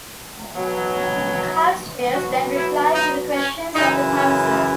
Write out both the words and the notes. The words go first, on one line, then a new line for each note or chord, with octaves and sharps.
Carstares then replied to the questions of the Council.
B2 F#3
B2 F#3 F#4
E4
D#4
C#4
F#2 C#3 E3 D#4
C#4